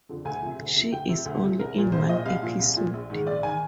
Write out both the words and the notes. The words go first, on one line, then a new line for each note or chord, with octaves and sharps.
She is only in one episode.
F2 D3 F3
D2 G#5
C3 F3
D2
C3 F3
D2 G5
C3 F3
D2
C3 F3
C2 A#4
A#2 F3
C2 C5
A#2 F3 D#5
C2 F5
A#2 F3
C2
A#2 F3
A#1
G#2 D#3
A#1 D5
D#3 G#5